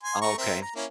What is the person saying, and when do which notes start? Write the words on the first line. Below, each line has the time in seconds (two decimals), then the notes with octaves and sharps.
Oh, okay.
0.03 G#5 C6
0.21 A3 A#5 C#6
0.38 C4 A#4 E5
0.62 A#5
0.76 A#3 C#4 E4